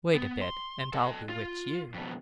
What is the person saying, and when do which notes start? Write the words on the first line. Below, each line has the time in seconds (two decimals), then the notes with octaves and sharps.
Wait a bit, and I'll bewitch you!'
0.15 B3
0.42 C6
0.93 A4 D#5
1.29 F4
1.94 F2 B2